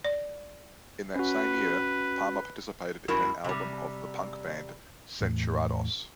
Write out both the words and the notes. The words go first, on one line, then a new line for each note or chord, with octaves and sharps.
In that same year, Palma participated in an album of the punk band Censurados.
D5
C#4 F#4 B4
F#2 G#3 E4 F#4 A#4
C3 G3
E2 A2